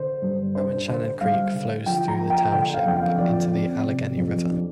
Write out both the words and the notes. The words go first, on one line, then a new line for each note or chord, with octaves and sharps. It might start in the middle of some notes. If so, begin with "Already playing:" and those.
Cowanshannock Creek flows through the township into the Allegheny River.
Already playing: D3 C5
G2
D4 C5
D3 C5
G3 F5
D3
F3 G5
A#5
A#3
G5
D3 G5
F5
F2 G5
F5
F3 D5
C4
C3
F2
D4